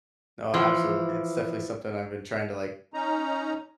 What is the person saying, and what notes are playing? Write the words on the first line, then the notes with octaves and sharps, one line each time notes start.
No, absolutely, it's definitely something I've been trying to, like,
E3 F3
C#4 D#4 A#5